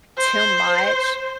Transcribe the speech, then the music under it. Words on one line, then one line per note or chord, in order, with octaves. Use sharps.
too much
C5